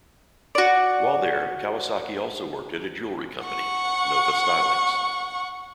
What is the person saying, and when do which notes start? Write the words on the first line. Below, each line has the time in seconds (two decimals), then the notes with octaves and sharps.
While there, Kawasaki also worked at a jewelry company, Nova Stylings.
0.55 F#4 D5
3.45 F#5 C#6